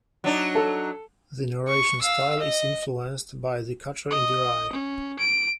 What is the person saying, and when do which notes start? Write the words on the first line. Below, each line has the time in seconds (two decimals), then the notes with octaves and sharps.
The narration style is influenced by The Catcher in the Rye.
0.24 F#3 D4 D#4
0.55 A4
1.68 C#6
2.01 F5 E6
2.39 D#5
4.11 D#5
4.73 C#4
5.19 D7